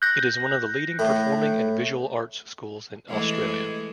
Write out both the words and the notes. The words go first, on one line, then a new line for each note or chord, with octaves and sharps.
It is one of the leading performing and visual arts schools in Australia.
F#6 G6 A#6
A2
E3 G#3 A3